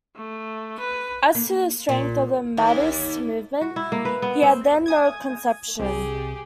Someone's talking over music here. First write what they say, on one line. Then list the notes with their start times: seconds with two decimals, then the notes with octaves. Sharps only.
As to the strength of the Mahdist movement he had then no conception.
0.17 A3
0.80 B4
1.35 A#3
1.89 A#2
2.57 D#2
3.61 F#4
3.76 E4
3.92 A#3
4.05 B4
4.22 B3
4.43 C4
4.86 G#5 D#6 G#6
5.79 C2 C3 G4 G#4